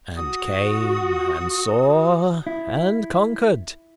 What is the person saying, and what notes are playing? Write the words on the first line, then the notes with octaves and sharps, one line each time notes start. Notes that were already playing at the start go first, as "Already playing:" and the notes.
And came, and saw, and conquered.
F#4 D#6
E4